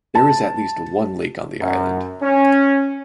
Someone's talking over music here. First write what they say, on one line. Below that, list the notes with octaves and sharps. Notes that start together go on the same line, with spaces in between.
There is at least one lake on the island.
A5
F#2
C#4